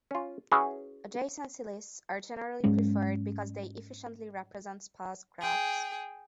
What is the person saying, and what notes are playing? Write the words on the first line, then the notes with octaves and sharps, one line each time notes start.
Adjacency lists are generally preferred because they efficiently represent sparse graphs.
C#4 F4
C#4 E4 F#4 G#4 B4
G#2 F#3 G#3 C#4
G#4 G5